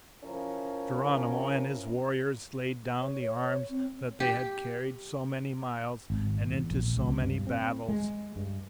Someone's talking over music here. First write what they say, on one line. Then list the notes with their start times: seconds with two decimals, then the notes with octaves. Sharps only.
Geronimo and his warriors laid down the arms that they had carried so many miles and into so many battles.
0.23 F3 C#4 E4 A#4
3.01 C#5
3.24 C#5
3.69 C4
4.20 G4
6.10 G#1
6.51 E2
6.71 A#1
6.96 C#2
7.21 G2
7.47 C4
7.88 G#3
8.36 G2